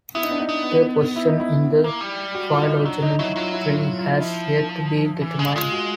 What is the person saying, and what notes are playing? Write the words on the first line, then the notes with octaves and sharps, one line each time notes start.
Their position in the phylogenetic tree has yet to be determined.
B3 E4
D#4
D4
D#4
B3
E4
D#4
E4
A#3
G3
F#4
F4
D#4
D#4
F#3 D4
D#4
F#3 E4
F#3 F4
E4
F4
F4
F4
E4
F4
D#4
F3 E4
E3
G#3
G#3 F4
F#4